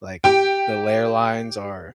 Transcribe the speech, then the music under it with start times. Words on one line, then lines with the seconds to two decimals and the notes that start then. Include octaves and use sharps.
like, the layer lines are
0.24 G4 G5